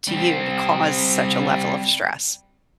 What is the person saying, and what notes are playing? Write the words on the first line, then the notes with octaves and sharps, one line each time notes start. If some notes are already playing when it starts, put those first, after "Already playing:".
to you to cause such a level of stress.
G3 C4